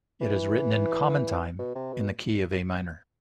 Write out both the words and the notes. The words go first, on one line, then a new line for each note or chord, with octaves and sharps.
It is written in common time in the key of A minor.
E3
B2
C3
B2